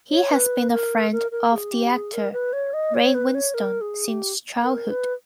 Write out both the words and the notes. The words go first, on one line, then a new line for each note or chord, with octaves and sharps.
He has been a friend of the actor Ray Winstone since childhood.
C#5
B4
A#4
A#4
A#4
G#4
G4
G#4
A#4
B4
C#5
D#5
C#5
B4
C#5
A#4
G#4
G4
A#4
B4